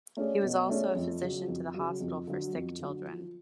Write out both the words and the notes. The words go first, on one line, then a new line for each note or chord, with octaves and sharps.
He was also a physician to the Hospital for Sick Children.
A3 C#4 G#4 D5
B2
A3 C#4 G#4 D5
F2
C#3 F#3
F2
C#3 F#3
F2
D3 F#3
F2
D3 F#3
F3